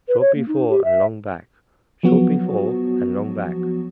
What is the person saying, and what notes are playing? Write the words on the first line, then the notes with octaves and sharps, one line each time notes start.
"Short before, and long back, Short before, and long back."
B4
C#5
A#3
D#4
G4
E5
F3 F#3 B3 F#4